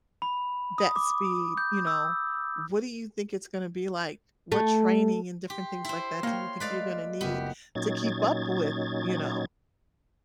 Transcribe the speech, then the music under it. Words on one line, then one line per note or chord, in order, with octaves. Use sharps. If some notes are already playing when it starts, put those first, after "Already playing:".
that speed, you know, what do you think it's gonna be like? What training and different things like that do you think you're gonna need to keep up with, you know,
B5
D#6
D6
G6
E6
A3
G4 C6
E4 C5
A#3 C#5 G5
G#3 A3 B4 D5 F5
F#1 B3 F4 G4
A#2 F#3 C#4 D#4 G#6 A6